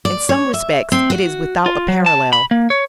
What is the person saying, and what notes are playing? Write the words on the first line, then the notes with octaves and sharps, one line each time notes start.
In some respects it is without a parallel.
D5
C#5
E5
C4
F#4
F4
F#3
A5
B5
A#3
C#5